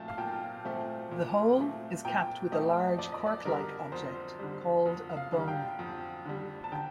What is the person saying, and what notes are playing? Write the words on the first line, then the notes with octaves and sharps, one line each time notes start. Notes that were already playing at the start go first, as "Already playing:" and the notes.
The hole is capped with a large cork-like object called a bung.
Already playing: A#2 F3 A3 C4 A5
F5
A#2 G5
F3 A3 C4
A#2
F3 A3 C4
A#2 G5
F3 A3 C4 D#5
F2 D5
D#5
D5
D3 G3 A#4
F2 C5
D3 G3
F2
F5
D3 G3
G5
F2
D3 G3
A5
D3 G5